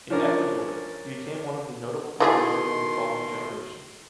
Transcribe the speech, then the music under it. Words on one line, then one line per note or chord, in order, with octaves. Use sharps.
In Ecuador, he became one of the "notable composers of the following generations".
F3 C#4 D4 A#4
B2 D#3 E3 A3 G#4 C6